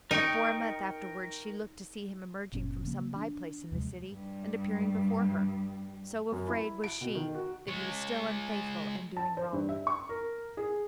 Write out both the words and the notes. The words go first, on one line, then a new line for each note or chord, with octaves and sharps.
But for a month afterwards, she looked to see him emerging from some by-place in the city, and appearing before her; so afraid was she that he was still unfaithful, and doing wrong.
D#4 A#4 G5 C#6
F#1 A#2 B3 C#4
C#3 F3 A#3
E3 D4
D#2 C3 F3 G#3
G2 G3
F#2
E4
D7
B2
D#3
F#4
G#3 C#5
A5
C5
G2
E5
C#6
A#4
G#4